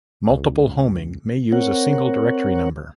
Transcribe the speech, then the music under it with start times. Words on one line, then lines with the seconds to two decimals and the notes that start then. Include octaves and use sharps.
Multiple homing may use a single directory number.
0.29 C#2
1.52 C4 A#4 C#5 F#5